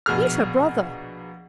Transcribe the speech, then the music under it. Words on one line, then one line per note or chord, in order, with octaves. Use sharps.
He's her brother.
A#1 B2 G#4 F6